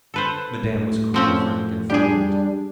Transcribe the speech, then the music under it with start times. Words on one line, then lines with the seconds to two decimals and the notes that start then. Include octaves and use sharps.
Madame was cool, frank, and fluent.
0.14 A4 B4 C5
0.64 A2
1.14 F3 C4 C#4
1.90 G3 D4 G4 G#4